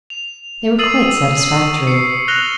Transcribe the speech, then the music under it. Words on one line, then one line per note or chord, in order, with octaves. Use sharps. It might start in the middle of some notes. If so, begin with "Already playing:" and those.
They were quite satisfactory.
F7
D#6 E6 A6 C7 D#7 F#7
C#6
C7 C#7
F6 F#6 A#6 F7 G7